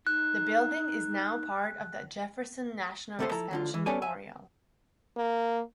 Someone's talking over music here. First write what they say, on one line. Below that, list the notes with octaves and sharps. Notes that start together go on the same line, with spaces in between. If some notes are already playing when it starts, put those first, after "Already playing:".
The building is now part of the Jefferson National Expansion Memorial.
D#4 F#6
C2 G2 A3 A#3 A4 C5
F3 E4 A4 A#5
D2 D3 F4
E3
B3 C#4 A4 C#5 D5 G#5
E5 G#5
A#3